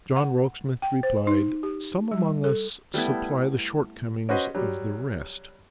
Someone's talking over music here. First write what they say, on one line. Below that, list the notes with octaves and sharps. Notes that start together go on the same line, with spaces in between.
John Rokesmith replied, 'Some among us supply the short-comings of the rest.
F#5
G5
C5
D#4
G4
G3
A4
G3 A3 B3 E4
C#4 F#4 B4 C5 D#5
F#3 G3